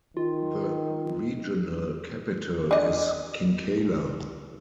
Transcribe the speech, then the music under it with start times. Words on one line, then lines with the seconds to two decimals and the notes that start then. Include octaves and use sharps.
The regional capital is Kinkala.
0.17 D#3 F4
2.71 D4 D#5